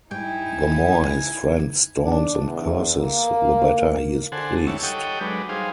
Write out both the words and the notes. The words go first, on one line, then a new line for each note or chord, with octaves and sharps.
The more his friend storms and curses, the better he is pleased.
G#2 G3 D#4 E4 G5 G#5
D4
E2
A#3
D3 A4 C5 F#5 G#5
D#2 G3 C#5 E5 A5
G4 A4 C#5 D#5 F#5 G5
F#3 G#3 D4 B4
G3 D#4 G#4 C5 F5